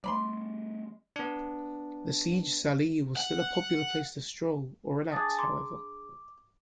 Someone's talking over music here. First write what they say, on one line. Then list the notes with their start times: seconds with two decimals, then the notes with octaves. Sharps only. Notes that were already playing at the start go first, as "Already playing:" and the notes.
The Siegesallee was still a popular place to stroll or relax, however.
0.04 G3 A3 D5 B5 C6
1.16 B3 D4
3.16 F#5
5.12 D4 G#4 D#6 A6
5.39 A#5 C6 D6